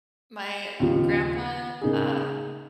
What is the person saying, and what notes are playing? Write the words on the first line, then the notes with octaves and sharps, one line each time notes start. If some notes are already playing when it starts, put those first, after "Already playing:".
my grandpa, uh,
D#2 C#3 F3
C#3 A#3 D#4 G#4